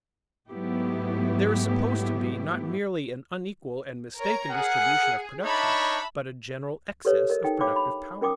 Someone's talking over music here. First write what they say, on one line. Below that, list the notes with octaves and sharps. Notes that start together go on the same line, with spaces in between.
There is supposed to be not merely an unequal and mistaken distribution of production, but a general excess of productive power.
G#2 F#3 A3 B3 E4 G4
A#4 C#5 A#5
G#4 A#4 F#5
D4 D#4 C#5 E5 A5 B5
G4 A4 B4 C#5
A#4 D#5
D#4 A4 G5
D4 C#5 F5 G5 B5 D6
B5
C#4 A#4 G5 D6 D#6